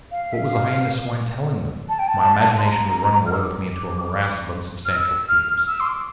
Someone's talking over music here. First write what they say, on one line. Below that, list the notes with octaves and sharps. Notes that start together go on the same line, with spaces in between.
What was the Hyena-swine telling them? My imagination was running away with me into a morass of unsubstantial fears.
F5
E5
F5
A5
G5
A5
C6
A#5
F6
E6
D6
F6
E6
F6
E6
C6
D6